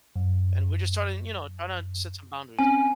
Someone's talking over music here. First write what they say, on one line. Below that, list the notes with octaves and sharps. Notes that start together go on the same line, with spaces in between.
And we're just starting, you know, trying to set some boundaries.
F#2
C4 C#4 G#5